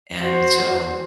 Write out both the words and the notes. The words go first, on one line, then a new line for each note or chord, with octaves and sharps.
And so
F#4 C5